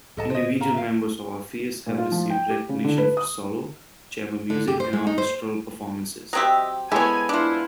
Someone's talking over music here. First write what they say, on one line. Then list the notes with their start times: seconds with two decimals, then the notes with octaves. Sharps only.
Individual members of Orpheus have received recognition for solo, chamber music, and orchestral performances.
0.17 A2 D3 A4 D#5 A5
0.30 C5 D#5
0.61 F5 A#5
0.74 E5 F5
1.87 A#2
1.98 F4
2.12 F3
2.30 G5
2.49 G4
2.69 C#3
2.84 D3
2.98 B4
3.17 D#6
4.50 D3
4.68 G4
4.80 C5
4.93 G#3
5.07 D#4
5.18 C5
6.33 F#3 C4 G4 D#5 E5
6.92 G#3 B3 E4 G4 A4 C5 C#5 G#5
7.29 D4 E4 F4 C5 D6